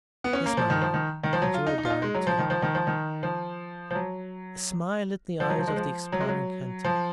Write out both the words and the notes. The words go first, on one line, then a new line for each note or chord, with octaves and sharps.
"Yes, my man, and you are dying too." A smile lit the eyes of the expiring Kentuck.
B3
C#4
A#3
F3
D#3
F3
D#3
D#3
F3
F#3
F4
D#4
D#4
F4
D#4
G#3
F#3
F3
D#3
F3
D#3
F3
D#3
F3
F3
F#3
F3
F#3
F3
G#3
F3
F#3
G#3
F#3
F3